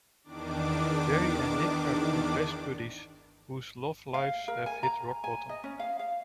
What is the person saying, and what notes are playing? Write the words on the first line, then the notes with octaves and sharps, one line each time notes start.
Jerry and Nick are two best buddies whose love lives have hit rock bottom.
E2 D#3 D4 D6
F5
A#4
G#5
A#5
G#5
D#5
C#4
F5
F5